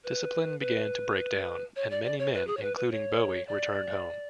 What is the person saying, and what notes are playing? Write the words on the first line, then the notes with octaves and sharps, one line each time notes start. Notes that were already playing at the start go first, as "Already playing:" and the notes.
Discipline began to break down, and many men, including Bowie, returned home.
B4
B4
C#5
D5
D5
C#5
B4
G#4
C#5
B4
B4
C#5
D5